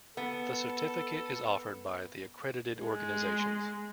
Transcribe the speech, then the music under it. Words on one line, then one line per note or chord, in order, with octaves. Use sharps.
The certificate is offered by the accredited organizations.
B3 A4
G#3